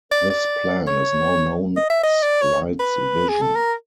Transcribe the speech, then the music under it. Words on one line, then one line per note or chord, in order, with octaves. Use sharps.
This plan is now known as "Light's Vision".
D5
D5
C#5
D#5
E5
D#5
D5
C#5
B4
G#4
A4
A#4